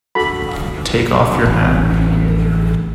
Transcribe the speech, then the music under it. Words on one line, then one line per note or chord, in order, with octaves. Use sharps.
Take off your hat.
F#4 A4 B5
A1